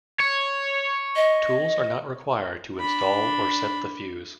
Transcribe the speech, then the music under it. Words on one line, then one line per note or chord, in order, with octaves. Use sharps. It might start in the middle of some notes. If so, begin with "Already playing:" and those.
Tools are not required to install or set the fuze.
C#5
D#5
D4 B5